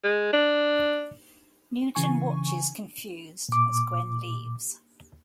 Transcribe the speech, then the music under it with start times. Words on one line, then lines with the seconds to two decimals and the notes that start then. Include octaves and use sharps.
Newton watches, confused, as Gwen leaves.
0.04 G#3
0.33 D4
1.95 C#3 E3 G#5 C#6
3.49 A#2 D6